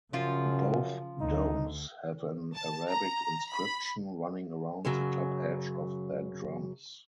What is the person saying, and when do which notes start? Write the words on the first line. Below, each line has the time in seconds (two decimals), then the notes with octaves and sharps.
Both domes have an Arabic inscription running around the top edge of their drums.
0.13 F#2 C#3 F3 F4
1.21 D2 D3 D#4
2.55 A5
2.89 A#5
3.53 B5
4.85 F#2 C#3 F#3